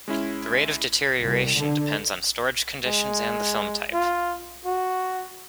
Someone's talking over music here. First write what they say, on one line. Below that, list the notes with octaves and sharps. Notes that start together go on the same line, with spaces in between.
The rate of deterioration depends on storage conditions and the film type.
G#3 C#4 E4
C2
D3
G#3
F4
F#4